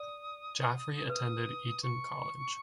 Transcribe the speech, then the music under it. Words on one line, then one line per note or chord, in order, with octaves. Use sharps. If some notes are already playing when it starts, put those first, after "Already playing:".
Jafri attended Eton College.
Already playing: D5 D#6
B4 D#6
C#6